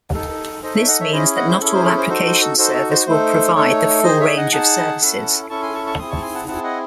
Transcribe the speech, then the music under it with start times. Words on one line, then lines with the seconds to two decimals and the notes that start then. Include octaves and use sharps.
This means that not all application servers will provide the full range of services.
0.14 D#4 A4
0.63 D#4 A4 C5 D#5
0.75 C#5 E5
0.88 D#5 F#5
1.00 C#5 E5
1.11 C#4 E4 G#4 C5 D#5
1.36 D#5 F#5
1.49 C5
1.60 C#4 E4 G#4 A4
1.73 C5
1.85 A4
1.97 C5
2.09 D#4 F#4 A4 C5
2.26 C5
2.41 A4
2.57 D#4 F#4 A4 C5
2.74 A4
2.90 C5
3.07 A3 D#4 A4 C5
3.55 A3 D#4 A4 C#5
4.04 D#4 G#4 C5 D#5
4.20 C#5 E5
4.37 D#5 F#5
4.52 D#4 G#4 F#5 A5
5.02 C#4 E4 A4
5.49 C#4 E4 A4 A5 C#6
5.62 G#5 C6
5.74 A5 C#6
5.86 A5 C#6
5.98 C4 E4 G#4 C6 D#6
6.10 A5 C#6
6.23 G#5 C6
6.35 F#5 A5
6.47 C4 E4 G#4 F#5 A5
6.63 D#5 F#5